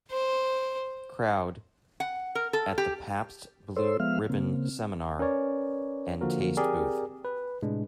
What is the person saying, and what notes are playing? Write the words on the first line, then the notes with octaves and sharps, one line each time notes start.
Crowd at the Pabst Blue Ribbon seminar and taste booth.
C5
F#5
A#4
A4
G4
A4 C5 C#5 C6 E6
F3 G#3 B3 E5 F5 F6
C#3 A#3 C4
C#4 A#4 B4 C#5 D5
D3 F3 A#3 F#4 A#4
C4 G4 G#4 A#4 D5
B4
A2 C3 G#3 D4